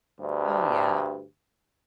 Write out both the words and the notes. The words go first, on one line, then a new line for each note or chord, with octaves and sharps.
Oh, yeah.
D2 G2